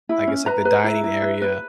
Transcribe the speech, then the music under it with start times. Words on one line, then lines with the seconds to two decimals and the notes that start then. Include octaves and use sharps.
I guess, like, the dining area
0.09 E4
0.27 C#4
0.46 B4 A#5
0.65 B4
0.84 E4
1.04 E4
1.22 B4
1.42 B4